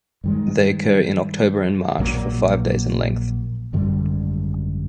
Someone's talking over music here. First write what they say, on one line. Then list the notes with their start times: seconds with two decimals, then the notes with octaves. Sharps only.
They occur in October and March for five days in length.
0.24 G2 D#3 G#3
1.99 A#1 A#2 F#3 A#3
3.73 G#1 F#2 D3 G3